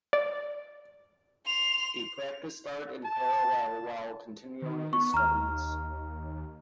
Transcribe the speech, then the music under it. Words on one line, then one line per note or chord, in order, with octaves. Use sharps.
He practiced art in parallel while continuing his studies.
D5
C6 F7
A5
D#3
B3 C#6
D#2 A#5 F6